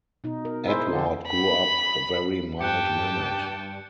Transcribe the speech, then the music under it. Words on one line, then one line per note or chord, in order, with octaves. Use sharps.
Edward grew up very mild-mannered.
B2 D#4
A#4
E4 G#4 C5
D3
B5
G2 G4 G5 A5 F#6 G6 C#7